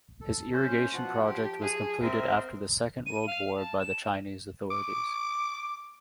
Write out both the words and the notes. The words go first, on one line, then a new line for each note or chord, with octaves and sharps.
His irrigation project was completed after the Second World War by the Chinese authorities.
A4
F#2 C#4 C5
B2 F3 F4 F#5
F3 G4
G#4
C4 A#4 D#5 E5
D#7
F5
A5
E7
D6